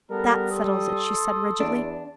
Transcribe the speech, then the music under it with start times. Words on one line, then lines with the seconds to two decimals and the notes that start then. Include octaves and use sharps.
"That settles it," she said rigidly.
0.11 G3 B3 A4 A#4
0.51 A4 C6 D#6
1.60 E2 D4